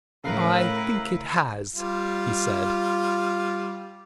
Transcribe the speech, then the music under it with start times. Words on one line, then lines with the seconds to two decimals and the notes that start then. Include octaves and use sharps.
"I think it has," he said.
0.24 A2 C#3 E4 A#4 B4 F5 C7
1.76 G3 F4